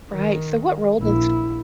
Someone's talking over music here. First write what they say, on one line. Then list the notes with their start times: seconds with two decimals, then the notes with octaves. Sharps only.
Right. So what role does
0.11 D#3
0.99 A#1 E4